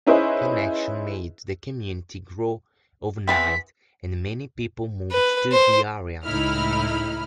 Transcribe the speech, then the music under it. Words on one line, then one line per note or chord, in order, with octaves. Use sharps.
Connection made the community grow overnight and many people moved to the area.
C#4 D#4 E4 G#4 B4 C5
E3 B3 C4 B6
B4
C5
C#2 A2 D#4 E4 B5 F6